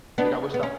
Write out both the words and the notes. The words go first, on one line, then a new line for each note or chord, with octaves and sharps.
like, I wish tha
B3 D4
B3
C#4